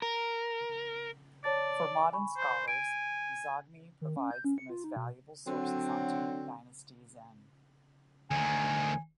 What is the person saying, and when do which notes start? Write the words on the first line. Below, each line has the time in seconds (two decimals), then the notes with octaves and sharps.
For modern scholars, Zongmi provides the most valuable sources on Tang dynasty Zen.
0.02 A#4
1.44 C#5 D5 A5 A6
2.13 G#5 B5 C#6
2.37 C5
2.68 G#5 D7
4.01 D#3
4.17 C#4
4.31 G6
4.44 C#4
4.58 C#7
4.70 F4
4.84 D#4
4.96 B2
5.47 D3 F#3 C4
8.31 D2 D#3 G#5